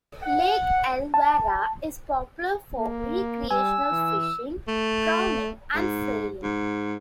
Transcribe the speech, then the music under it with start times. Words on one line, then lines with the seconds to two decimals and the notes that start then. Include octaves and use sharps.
Lake Illawarra is popular for recreational fishing, prawning and sailing.
0.23 F#5
1.14 A5
2.77 A#3
3.51 G3 G#5 E6
3.91 E3
4.68 A3
5.75 G#2
6.43 G#2